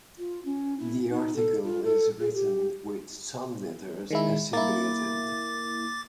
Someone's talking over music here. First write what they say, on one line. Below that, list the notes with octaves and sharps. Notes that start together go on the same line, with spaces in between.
The article is written with "sun letters" assimilated.
F4
C#4
E4
D#4
A4
F4
A4
G#4
G4
D#3 G#3 E4
A#3 E4 D6 A6